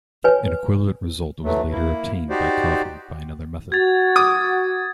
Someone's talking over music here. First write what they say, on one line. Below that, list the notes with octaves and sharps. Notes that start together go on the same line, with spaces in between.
An equivalent result was later obtained by Coffey by another method.
B4 C#5 G#5
E3 F#3 A3
A#3 E4
D#4 F#4 G4 C5 D5
F#4 G#6 A6
D6 D#6